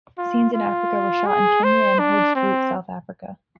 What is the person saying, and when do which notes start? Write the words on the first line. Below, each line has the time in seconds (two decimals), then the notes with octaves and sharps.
Scenes in Africa were shot in Kenya and Hoedspruit, South Africa.
0.18 F4
0.54 F4
1.26 G#4
1.64 C5
1.99 D4
2.35 C4